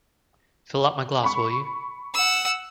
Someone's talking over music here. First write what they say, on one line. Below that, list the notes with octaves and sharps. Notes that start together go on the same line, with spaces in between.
Fill up my glass, will you?
B5 C#6
F#5 E6